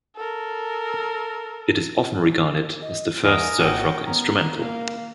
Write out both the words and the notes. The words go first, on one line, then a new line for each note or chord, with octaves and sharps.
It is often regarded as the first surf rock instrumental.
A4 A#4
D#5
E2 G#4 A#4 D#5 E5 G#5
G#1 A#3 D4 F#5 G5
B3 C#4 A#5
A#3 A#4 F5